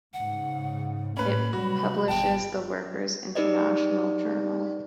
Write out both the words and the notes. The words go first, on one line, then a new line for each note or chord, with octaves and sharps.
It publishes the "Workers International Journal".
G#2 C#3 F#5
A2 A#3 C#4 B4 B5
C3 F#3 G3 F#4
G1 A#2 G5 A5
D#4 G4 B4 D5 D#5